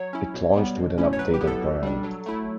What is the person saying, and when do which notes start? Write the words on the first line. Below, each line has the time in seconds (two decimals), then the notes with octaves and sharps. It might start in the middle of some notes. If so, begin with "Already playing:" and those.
It launched with an updated brand.
Already playing: F#3 C#5
0.13 C#4 E4
0.34 B2
0.56 G3 B3
0.77 B2
0.98 A3 C#4 E4
1.13 C#5
1.19 F#3 B4
1.34 G4
1.41 B3 E4
1.47 A4
1.62 B2
1.83 G3 D4
2.04 F#3
2.26 A3 E4